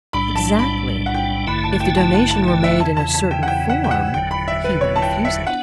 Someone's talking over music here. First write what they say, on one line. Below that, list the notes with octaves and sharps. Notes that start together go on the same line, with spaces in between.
"Exactly: if the donation were made in a certain form he would refuse it."
B1 A2 G3 D4 B5
A5
B5
F#5
G5
A1 G2 D3 A3 E4 B5
A5
G5
A5
A5
A5
G5
E5
E2 C#3 E3 A5
A5
A5
G5
F#5
G5
F#5
G5
F#5
F#1 E2 D3 F#3 G5
B5
E5
B4
C#5
A5
G5
E5
B3 D4 F#5